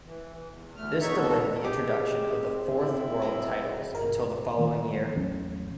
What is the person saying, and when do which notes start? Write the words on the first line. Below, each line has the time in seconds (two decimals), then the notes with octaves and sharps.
This delayed the introduction of the "Fourth World" titles until the following year.
0.05 E3
0.50 E2
0.76 D2 A3 F6
1.01 E2 B2 D#4 C#5 E5 C#6
1.17 D#2 B2 B3 F#4 A4
1.64 D#4 G4 G#4
2.08 C4
2.81 E4
3.22 F#3 G#3 B3
3.93 G1 A#4
4.58 D#3 E3 G3 A#3
5.16 A1 E2 F#3 C#4